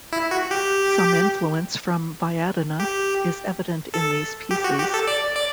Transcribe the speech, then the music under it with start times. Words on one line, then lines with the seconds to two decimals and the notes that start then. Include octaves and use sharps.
Some influence from Viadana is evident in these pieces.
0.13 E4
0.31 F#4
0.51 G4
2.80 G4
3.94 A4
4.51 G4
4.64 F#4
4.79 G4
4.94 A4
5.08 D5
5.36 D5